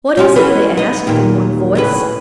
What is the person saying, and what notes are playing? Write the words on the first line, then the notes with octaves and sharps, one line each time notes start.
"What is it?" they asked, in one voice.
C#4 E4 F4
E3 B3 C#4
B3 D#4
D#2 A#2
A2 C#3 B4